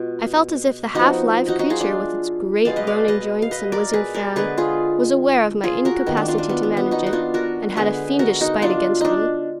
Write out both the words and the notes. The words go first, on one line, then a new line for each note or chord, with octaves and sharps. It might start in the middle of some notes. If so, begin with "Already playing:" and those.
I felt as if the half-live creature, with its great, groaning joints and whizzing fan, was aware of my incapacity to manage it, and had a fiendish spite against me.
Already playing: B2 G#3 F4
F3 B3 D#4 F#4
D#4 F#4
D#4 F#4
F4 G#4
D4 F4
B2 G#3 B3 D5 F5
B4 D#5
D5 F5
B4 D#5
F5
B4 D#5
A#4 D5
G#4 B4
A#4 D5
D3 G#3 B3 G#4 B4
F4 G#4
F4 G#4
F#4 A#4
D#3 A#3 B3
D4
D4 F4
D4
B3
B3
B3
D#4 F#4
F#4
D4 F4
F#4 A#4
D3 G#3 B3 G#4 B4
F#4 A#4
D#4 F#4
D4 F4
D4 D#4